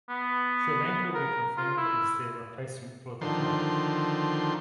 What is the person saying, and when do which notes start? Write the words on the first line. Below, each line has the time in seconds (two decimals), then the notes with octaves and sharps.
Sri Lanka were confirmed as their replacement for the tour.
0.09 B3
1.15 A#4
1.57 F4
1.77 E4
3.21 D3 D#3 F3 C6